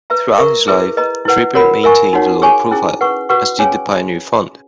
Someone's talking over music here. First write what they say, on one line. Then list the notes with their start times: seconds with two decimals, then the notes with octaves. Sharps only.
Throughout his life, Draper maintained a low profile, as did the Pioneer Fund.
0.10 B4 E5 A#5
0.38 A#4 E5 A#5 C#6
0.67 E4 G#4 B4 E5
0.97 B4 D#5 A#5
1.25 E4 B4 F#5
1.54 F#4 A#4 C#5 F#5 B5
1.84 A#4 E5 G#5 C#6
2.13 D#4 F#4 C#5 F#5
2.42 G#4 C#5 G#5 C#6
2.71 C#4 E4 G#4
3.01 B4 F#5 C#6
3.29 F#4 B4 F#5 C#6
3.59 C#4 G#4 C#5 G#5